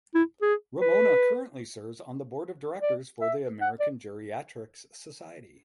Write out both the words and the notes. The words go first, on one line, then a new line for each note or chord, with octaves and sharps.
Ramona currently serves on the board of directors for the American Geriatrics Society.
E4
G#4
B4
D5
E5
F#5
D5